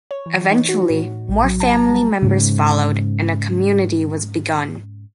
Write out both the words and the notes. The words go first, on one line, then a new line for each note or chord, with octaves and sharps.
Eventually, more family members followed and a community was begun.
C#5
E3
D#4
F#4
A2
A#1
F#3
A5
A#5
G3
G#2 C#3